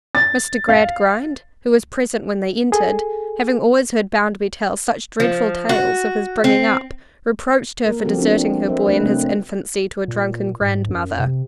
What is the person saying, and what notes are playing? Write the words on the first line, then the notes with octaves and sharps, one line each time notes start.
Mr. Gradgrind, who was present when they entered, having always heard Bounderby tell such dreadful tales of his bringing-up, reproached her for deserting her boy in his infancy to a drunken grandmother.
A6
F5
G#4 A4
F3
F#4
C4
A#3 A#4
F3 C4 F#4 G4 A4
B3 C4 D4 G4
A#4 C5 D#5 E5
F#3 A3 D4 B4
C3 A3 C4
A#2
G#2
F#2
C3